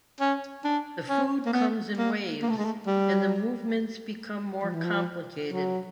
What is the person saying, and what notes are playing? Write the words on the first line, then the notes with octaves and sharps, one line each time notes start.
The food comes in waves, and the movements become more complicated.
C#4
D4
C#4
A#3
B3
A#3
A#3
A3
G#3
A3
G3
F3
E3
F3
F#3